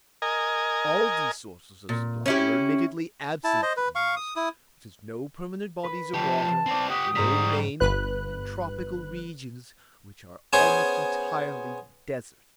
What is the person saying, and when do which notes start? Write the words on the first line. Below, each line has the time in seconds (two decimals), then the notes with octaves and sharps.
All these sources of supply are admittedly absent from Mars, which has no permanent bodies of water, no rain, and tropical regions which are almost entirely desert.
0.22 A#4 D#5 G#5
1.89 A#2
2.26 C#4 E4 G4
3.44 E4 A5
3.63 C5 D#5
3.77 B4
3.95 F5 C#6
4.17 D#6
4.36 E4 D#6
5.83 B4 B5
6.14 F3 G4 A5
6.66 C4 D5
6.90 G4 F#5 D#6
7.15 G#2 G3 A#5 B6
7.80 G1 B4 F#6
10.53 B3 C#4 G#4 C5 C#5 G#5